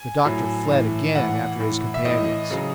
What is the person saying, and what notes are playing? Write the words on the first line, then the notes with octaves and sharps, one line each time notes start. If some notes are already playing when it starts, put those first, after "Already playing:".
The doctor fled again after his companions.
Already playing: G#5
A2 F#3
A2 E3
A2 E3 F#5
A2 E3
E5
A2 E3 D#5
C#3 F#3